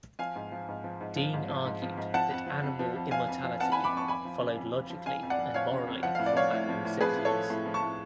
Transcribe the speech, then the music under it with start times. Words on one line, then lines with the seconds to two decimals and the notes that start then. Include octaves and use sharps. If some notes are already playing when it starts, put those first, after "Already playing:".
Dean argued that animal immortality followed logically and morally from animal sentience.
0.19 F3 F5 G#5
0.36 G#2
0.52 F3
0.68 G#2
0.84 F3
1.01 G#2
1.16 F3
1.34 G#2
1.49 F3
1.65 G#2
1.82 F3
1.97 G#2
2.14 F3 F#5 A5
2.30 F2
2.47 F3
2.63 F2
2.79 F3
2.96 F2
3.11 F3 F5 G#5
3.28 F2
3.43 F3
3.60 F2 F#5 A5
3.72 G#5 B5
3.77 F3
3.84 B5 D6
3.93 F2 A5 C#6
4.08 F2 G#5 B5
4.25 F3
4.41 C#3
4.57 F2
4.73 F2
4.90 F3
5.06 C#3 F5 G#5
5.23 F2
5.30 D5 F#5
5.39 F2
5.54 F3 C#5 F5
5.71 C#3
5.87 F2
6.03 F3 F#5
6.15 A2 F5
6.26 D5
6.36 F3 C#5 F5
6.52 A2
6.69 F3
6.85 A2
7.01 F3 G#4 B4
7.17 A2
7.25 A4 C#5
7.33 F3
7.50 A2
7.66 F3
7.74 A5 C#6
7.82 A2